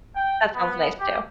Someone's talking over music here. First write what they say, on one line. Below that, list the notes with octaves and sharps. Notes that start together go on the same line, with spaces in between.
That sounds nice too.
G5
B3
G4